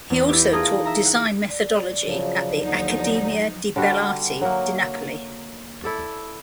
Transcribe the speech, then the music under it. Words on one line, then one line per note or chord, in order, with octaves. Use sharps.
He also taught design methodology at the Accademia di Belle Arti di Napoli.
E2
E4 G4
A3 D#4 F4 G#4 A#4
E5 A#5
F#5
D5
C#3 F3 F#3
D#2 D3 F3 F#3 D#4
D3 G3 F#4
F#3 A#3
E4 A4 D5